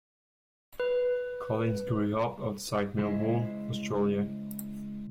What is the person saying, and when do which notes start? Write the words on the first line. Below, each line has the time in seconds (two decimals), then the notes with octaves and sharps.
Collins grew up outside Melbourne, Australia.
0.80 B4
2.98 C#3 G#3 E4 C5 D#5